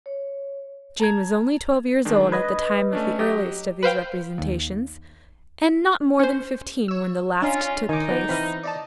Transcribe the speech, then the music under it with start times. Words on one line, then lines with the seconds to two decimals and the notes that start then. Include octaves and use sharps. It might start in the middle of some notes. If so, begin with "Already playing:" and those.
Jane was only twelve years old at the time of the earliest of these representations, and not more than fifteen when the last took place.
0.06 C#5
1.00 A5 A#5 G#6
2.05 D#3 G#3 D4
2.32 B4 D#5 G#6
2.93 A3 C#4 D4
3.19 F#3 G4 D#5
3.83 B4 C5 F5 G5
4.38 D#2
6.19 C#4 C5
6.88 C#5 E6
7.42 C#4 D4 F4 D#5 F5 A#5
7.89 D#3 D#4 G#5 D6
8.10 B3 B4
8.29 E3 C4 B5 F6 A#6
8.63 D5 D#5 A5